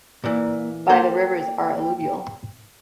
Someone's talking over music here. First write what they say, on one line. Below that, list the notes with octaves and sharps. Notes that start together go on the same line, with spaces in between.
By the rivers are alluvial.
A#2 E3 A#3
A#3 A4 C5 G5